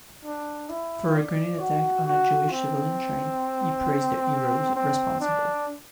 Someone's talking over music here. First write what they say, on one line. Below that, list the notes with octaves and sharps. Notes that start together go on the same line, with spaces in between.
For a grenade attack on a Jewish civilian train, he praised the "heroes" responsible.
D4
E4
D5
F#4
F#4
C4
C4
D4